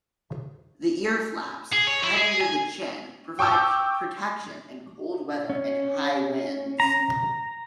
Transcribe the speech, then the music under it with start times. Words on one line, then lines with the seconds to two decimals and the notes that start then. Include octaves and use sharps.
The earflaps, tied under the chin, provide protection in cold weather and high winds.
1.72 G#4
1.87 C#5
2.03 E4
2.17 G#4
2.41 G#5
3.39 G5 C#6 D6 E6 G6
5.50 C#4
6.80 A#5